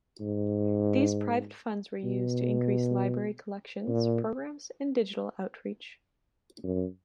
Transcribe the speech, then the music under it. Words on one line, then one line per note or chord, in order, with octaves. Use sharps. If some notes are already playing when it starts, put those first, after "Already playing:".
These private funds were used to increase Library collections, programs, and digital outreach.
G#2
B2
A#2
F#2